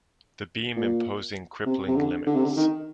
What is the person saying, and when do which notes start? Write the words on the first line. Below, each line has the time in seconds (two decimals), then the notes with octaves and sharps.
The beam imposing crippling limits.
0.76 A#2
1.66 C3
1.87 C3
1.96 D3
2.27 D3
2.35 C3
2.45 D3
2.57 D#3